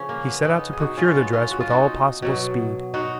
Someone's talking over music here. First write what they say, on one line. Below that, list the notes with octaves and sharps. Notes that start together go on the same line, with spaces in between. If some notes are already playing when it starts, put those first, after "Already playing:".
He set out to procure the dress with all possible speed.
Already playing: C#3 F3 C#4
A#3
B3
B3 D#4
G#4
D#4 F#4
C#4 F4
B3 D#4
C#4 F4
F#4
F4
D#4 F#4
B2 F#3
D#4 F#4